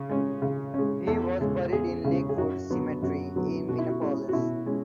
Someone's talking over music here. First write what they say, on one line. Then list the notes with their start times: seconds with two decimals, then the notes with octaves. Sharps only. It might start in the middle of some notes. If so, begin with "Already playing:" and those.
He was buried in Lakewood Cemetery in Minneapolis.
Already playing: C#3
0.10 G#3 C#4
0.42 C#3
0.74 G#3 C#4
1.07 E2 A4
1.40 C#3 G#3 C#4
1.72 E2 G#4
2.04 C#3 G#3 C#4
2.29 G#4
2.37 F#2 F#4
2.70 D3 F#3 B3
3.02 F#2 F#4
3.36 D3 F#3 B3
3.69 B2 F#4
3.78 E4
3.89 F#4
4.01 G#3 C#4 E4
4.29 F#4
4.33 B2 E4
4.66 G#3 C#4